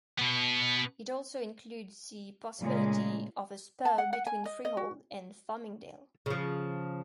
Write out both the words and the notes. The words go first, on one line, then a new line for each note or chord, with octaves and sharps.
It also includes the possibility of a spur between Freehold and Farmingdale.
B2 B3
A#2 C#3 G#3 A3
A5
F#5
F#5
G#5
D#5
D#5
F#4
C#3 F3